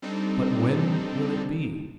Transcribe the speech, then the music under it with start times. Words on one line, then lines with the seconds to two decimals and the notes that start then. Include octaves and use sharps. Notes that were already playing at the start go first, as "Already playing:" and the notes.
But when will it be?
0.02 G3 C4 D4 D#4 A4